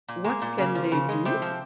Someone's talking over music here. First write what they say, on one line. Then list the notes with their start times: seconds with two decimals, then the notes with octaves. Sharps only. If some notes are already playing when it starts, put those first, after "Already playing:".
What can they do?
0.08 A#2
0.24 G#3 A#3
0.42 A#2
0.58 C#3 A#3
0.75 F3
0.92 C#3
1.09 G#3
1.25 C3 C4
1.42 F3